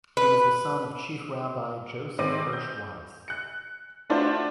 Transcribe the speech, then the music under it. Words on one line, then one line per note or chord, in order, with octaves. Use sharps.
He was the son of Chief Rabbi Joseph Hirsch Weiss.
B4
G#2 D#3 C4 D6 D#7
G6
F#6 C#7
A3 D4 F4 F#4 C5 E5